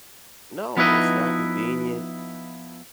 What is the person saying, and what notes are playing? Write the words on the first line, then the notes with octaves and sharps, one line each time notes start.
No, it's not convenient
F3 B3 D#4 E4 B4 D#5